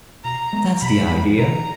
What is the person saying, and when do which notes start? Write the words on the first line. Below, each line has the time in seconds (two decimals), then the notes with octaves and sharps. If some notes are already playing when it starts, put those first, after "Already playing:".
"That's the idea!"
0.24 B2 A#5
0.53 G#3 B3
0.81 B2 B5
1.10 G#3 B3
1.38 B2 A#5